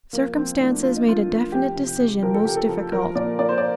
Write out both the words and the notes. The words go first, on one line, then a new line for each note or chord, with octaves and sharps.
Circumstances made a definite decision most difficult.
F3 A#3
F3 C4
A2 D4
F3 F4
D#4
F3 F4
A2
F3 G4
C3
C3
F3 A#4
A4
F3 G4
A4
F3
F3 A#4
A#2 D5
A#2 D5
C5
D5